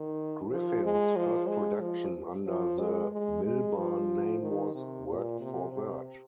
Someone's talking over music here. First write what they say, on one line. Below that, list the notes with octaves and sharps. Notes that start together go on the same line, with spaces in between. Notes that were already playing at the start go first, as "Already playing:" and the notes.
Griffin's first production under the Milbarn name was "Word for Word".
Already playing: D#3
F3
G#3
F3
G#3
F3
F3
G#3
G#3
G#3
F3
D#3
C3
A#2
C3
C3